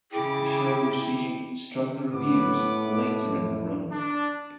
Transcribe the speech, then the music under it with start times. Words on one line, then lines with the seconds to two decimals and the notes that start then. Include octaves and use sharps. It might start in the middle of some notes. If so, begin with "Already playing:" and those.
The show received stronger reviews later in the run.
0.12 C#3 E4 G#4 G5 D6
2.11 A2 B3 B4 D6
3.91 D4